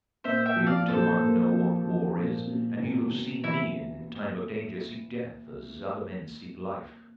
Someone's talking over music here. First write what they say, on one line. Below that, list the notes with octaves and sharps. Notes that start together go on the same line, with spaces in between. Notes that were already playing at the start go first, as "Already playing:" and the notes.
You, Tuan, know what war is, and you have seen me in time of danger seek death as other men seek life!
A#2 C5 E5
E5 G5
F3
D5 F5
A#2 A4 C5
A#3
F3
F3
A#2
A#2
E1
E1
E3 E4